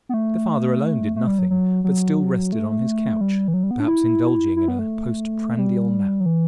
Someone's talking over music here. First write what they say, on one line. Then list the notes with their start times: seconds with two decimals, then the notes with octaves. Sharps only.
The father alone did nothing, but still rested on his couch, perhaps indulging in a postprandial nap.
0.09 B3
0.14 A3
1.16 A3
1.27 G3
1.39 F#3
1.50 F#3
1.84 F#3
2.52 A3
3.21 G3
3.48 E3
3.54 F#3
3.63 G3
3.71 B3
3.80 D4
3.88 E4
4.56 E4
4.68 B3
4.79 A3
5.58 G3
6.20 F#3
6.26 E3